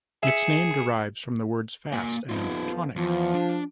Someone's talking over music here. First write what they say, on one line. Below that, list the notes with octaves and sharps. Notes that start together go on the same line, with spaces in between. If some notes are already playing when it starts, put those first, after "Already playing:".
Its name derives from the words “fast” and “tonic”.
G#4 E5 C#7 E7
A#3 G#5
F2 F3 B3 D#4 F4
E2 F3
D4